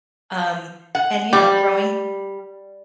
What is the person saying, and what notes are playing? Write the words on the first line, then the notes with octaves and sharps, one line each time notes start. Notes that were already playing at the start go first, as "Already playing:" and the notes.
Um, and, you know, growing
F#5
G3 G4